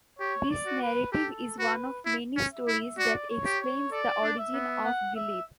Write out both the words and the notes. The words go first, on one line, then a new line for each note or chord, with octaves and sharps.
This narrative is one of many stories that explains the origin of Gelebe.
G4 C#5
D5
F#4
B4
G4 A4
F#4 B4
E4
C#4
E5
E4
F#4 D5
C#5
G4
C#5
A4 D5
D4
E5
B3
F#5
E5